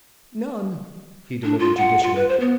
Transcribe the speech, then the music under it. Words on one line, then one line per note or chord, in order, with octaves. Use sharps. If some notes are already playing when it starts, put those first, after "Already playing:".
"None," he delivered judicially.
D4
F4
F#5
F4
B4
C5
B3